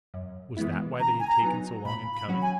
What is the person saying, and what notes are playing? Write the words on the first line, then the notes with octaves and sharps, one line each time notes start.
Was that why they had taken so long in coming?
F#2
E3 G#3 B3 E4
C#3 A#5
G#5
A#5
F#3 B3 D#4
A#2 B5
B5
F#3 C#4 F#4
G#5